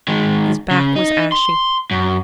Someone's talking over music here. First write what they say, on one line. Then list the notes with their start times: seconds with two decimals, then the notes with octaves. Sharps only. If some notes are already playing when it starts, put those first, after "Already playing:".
His back was ashy.
0.08 D#3 G#3
0.71 C#3
0.95 D#4
1.32 C6
1.91 F#2